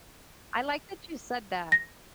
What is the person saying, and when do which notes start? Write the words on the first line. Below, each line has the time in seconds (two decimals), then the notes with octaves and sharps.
I like that you said that.
1.72 A#6